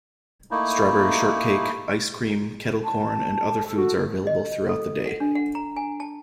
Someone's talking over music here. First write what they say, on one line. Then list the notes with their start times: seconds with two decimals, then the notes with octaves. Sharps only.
Strawberry shortcake, ice cream, kettle corn and other foods are available throughout the day.
0.51 A3 A#3 D#4 E4
2.83 A5
3.65 A4
3.77 F#4
4.27 D#5
4.69 A4
5.06 F#5
5.20 D4
5.35 F#5
5.55 A#5
5.76 G#5
6.00 A5